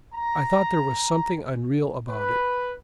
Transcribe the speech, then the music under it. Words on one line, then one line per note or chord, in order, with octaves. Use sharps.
I thought there was something unreal about it.
A#5
B4